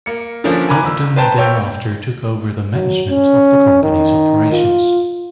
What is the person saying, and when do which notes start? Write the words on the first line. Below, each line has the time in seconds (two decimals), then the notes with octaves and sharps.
Ogden thereafter took over the management of the company's operations.
0.06 A#3 C#7
0.44 D3 F3 A#3 C#4 D4
0.69 G#5 A#5 B5 D6 F#6
0.84 G1 E6
1.16 B4 C5 G5 A5 A#5
1.38 C#5 G5 E6 G6
2.73 F#3
3.12 C#4
3.83 D#3
4.52 F4